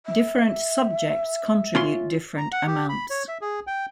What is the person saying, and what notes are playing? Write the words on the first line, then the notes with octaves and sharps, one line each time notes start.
Different subjects contribute different amounts.
E5
C#4 F4 C6
A#5
F#5
G4
B5
C#5
E5
G#4
G5